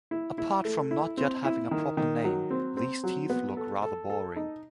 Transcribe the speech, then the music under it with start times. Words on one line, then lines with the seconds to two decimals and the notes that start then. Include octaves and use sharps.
Apart from not yet having a proper name, these teeth look rather boring.
0.11 E4
0.38 E4
0.65 A3
0.91 E4
1.17 C4
1.45 E4
1.71 D#3
1.97 D#3
2.24 F#3
2.51 C4
2.77 C4
3.04 F#3
3.30 B3
3.57 A4
3.82 A4
4.10 A4
4.36 D#4